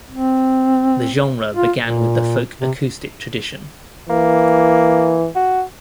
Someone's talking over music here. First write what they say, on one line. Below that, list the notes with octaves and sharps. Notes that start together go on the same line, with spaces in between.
The genre began with the folk-acoustic tradition.
C4
F4
A#2
C3
E3 A#3
F#4